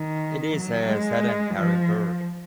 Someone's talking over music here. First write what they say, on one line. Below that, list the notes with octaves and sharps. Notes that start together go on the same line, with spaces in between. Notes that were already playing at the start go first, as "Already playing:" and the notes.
It is a sedentary bird.
Already playing: D#3
F#3
G#3
F3